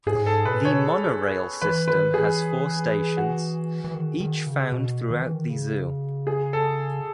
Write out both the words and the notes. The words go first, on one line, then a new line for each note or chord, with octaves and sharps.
The monorail system has four stations, each found throughout the zoo.
G#2 G#4
A2
G#2 A4
B2 B4
A2
B2 C#5
E3 B4
D#3 B4
E3 G#4
F#4
E3
D#3
D#3
C#3
B2
D#3
E3
D#3
C#3
G#4
A4